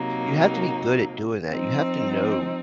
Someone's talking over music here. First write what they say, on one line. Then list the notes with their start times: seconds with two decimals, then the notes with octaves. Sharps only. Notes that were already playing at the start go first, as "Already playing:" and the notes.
you have to be good at doing that, you have to know
Already playing: C3 F#3 A#3 D#4
1.51 F3 C4 D#4